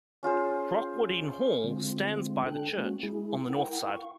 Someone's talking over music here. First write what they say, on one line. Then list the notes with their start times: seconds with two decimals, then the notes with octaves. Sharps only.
Wrockwardine Hall stands by the church, on the north side.
0.23 C#4 F4 G#4 C5
1.64 D3 G#3 C4 F4
2.46 D4 A4 G5 F#6
2.78 G#3 A#3 C#4 F#4
3.03 G#3 E4 G#4
3.50 E4 A#4 F#5 G5
3.91 F5 C#6